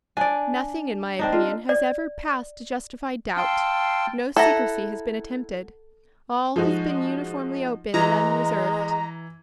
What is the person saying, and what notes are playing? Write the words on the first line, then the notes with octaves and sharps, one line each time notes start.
Nothing in my opinion has ever passed to justify doubt; no secrecy has been attempted; all has been uniformly open and unreserved.
D4 D5 G#5
C4 D4 D#4
F4
D5
F5 G5 A5 C6 E6
E4 A4 F#5 A#5
F3 G#3 D#4 F#4
E3 G#3 A#5